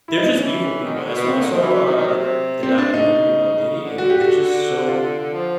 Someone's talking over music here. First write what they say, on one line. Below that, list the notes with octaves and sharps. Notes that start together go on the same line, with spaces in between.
They're just evil people, I saw I saw, uh, the documentary about Diddy, and it's just so
E4
D#4
D4
E3 C#4
D#3
D3
B2
B2
C4
D3 A#3
D#3
E3 F#3
E3
D#3
D#3
C3
C3
A#2 C4
B2 D4
C3
C#3 D#4
C#3
C#3
D3
D3 F#4
G4
F#4
D3
F4
F3